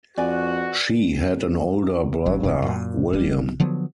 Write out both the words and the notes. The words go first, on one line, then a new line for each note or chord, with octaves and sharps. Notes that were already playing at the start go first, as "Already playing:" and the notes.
She had an older brother, William.
F2 F#4 B4 D5 G#5
G#1 F#3
E1 G2 C3
F#2 A#2
F1 G3
D3 F3 F#3 B3